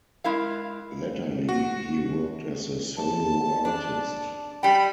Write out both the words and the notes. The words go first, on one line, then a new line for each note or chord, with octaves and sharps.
Latterly, he worked as a solo artist.
G#3 E4 A#4 F5
F#4
A5
D4
G3 G5 B5